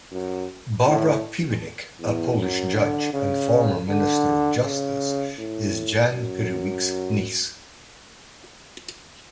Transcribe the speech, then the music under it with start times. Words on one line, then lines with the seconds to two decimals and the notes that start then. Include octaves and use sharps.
Barbara Piwnik, a Polish judge and former minister of justice, is Jan Piwnik's niece.
0.12 F#2
0.88 A2
2.01 E2
2.38 F#2
2.75 D3
3.13 C#3
3.88 D3
4.64 C#3
5.39 A2
6.14 F#2